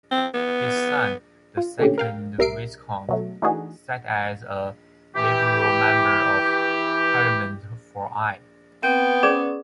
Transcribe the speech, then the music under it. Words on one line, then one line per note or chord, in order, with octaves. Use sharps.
His son, the second Viscount, sat as a Liberal Member of Parliament for Eye.
C4
B3
F4
A#2 D3 A3 C#4 G4
A#4 F5 G5
C2 G3 A#4 E5 C7 D7
B2 F#3 A3
E3 A3 D4 D#4 F#4 G#4
E3 G4
B3 C4 G5
C#4 G#4 C5 D5